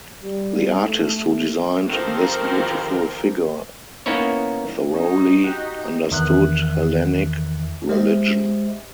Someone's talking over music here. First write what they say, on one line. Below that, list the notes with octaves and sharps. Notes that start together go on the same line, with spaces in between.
The artist who designed this beautiful figure thoroughly understood Hellenic religion.
G3
A3
D#3 F3 C4 G4 A4 A#4
A#3 B3 C#4 D#4 E4 C#5
C#4 D#4
F#4 G4
E2 D#3 E5 F#6
G#3 G4 C5 D#5 E5